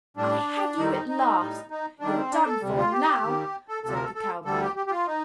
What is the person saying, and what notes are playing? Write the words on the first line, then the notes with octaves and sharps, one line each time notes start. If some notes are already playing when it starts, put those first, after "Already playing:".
"I have you at last; you're done for now!", said the cowboy.
A2 G3 D4
F2 D#3 G3 D#4
D#4
D#4
A2 G3
D#4
D#2 D#3 G3 D4
C4
D4
A4
D2 C3 G3
F4
G4
D#2 D#3 G3
A4
D2 C3 F3 A4
A#4
A4
A4
D2 D3 G3 A4
G4
G4
G4
F4
D#4